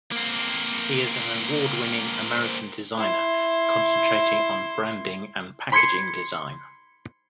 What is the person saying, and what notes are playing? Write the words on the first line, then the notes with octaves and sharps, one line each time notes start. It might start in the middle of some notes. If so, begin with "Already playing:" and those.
He is an award-winning American designer concentrating on branding and packaging design.
A#3 C4
E4 C6
B5 C6 G#6 C7 C#7